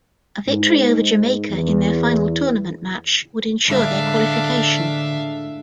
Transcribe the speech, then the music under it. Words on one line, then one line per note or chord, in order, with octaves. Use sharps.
A victory over Jamaica in their final tournament match would ensure their qualification.
G#2
E2
A2 D3 G#3 A3 D4 E5 F5